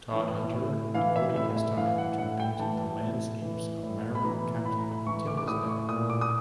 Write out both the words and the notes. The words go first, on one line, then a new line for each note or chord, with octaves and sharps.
Todhunter devoted his time to painting the landscapes of Marin County until his death.
E3
A2
E3 F5
E5
A2 E5
E5
E3 F5
F#5
A2 F#5
G5
E3 A5
A2
E3
A2
B5
E3 A#5
A2 B5
A#5
B5
E3 C#6
D6
D6
A2 D#6
C#6
A#2 D#6
D6
D#6